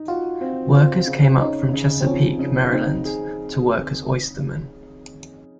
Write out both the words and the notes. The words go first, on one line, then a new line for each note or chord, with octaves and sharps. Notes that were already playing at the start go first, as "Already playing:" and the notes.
Workers came up from Chesapeake, Maryland, to work as oystermen.
Already playing: D#4
F4 F#4
C4
C4 F4
C#3
C#4 D#4
C#3
C4
F3 C#4
C#3
C4 D#4
G#4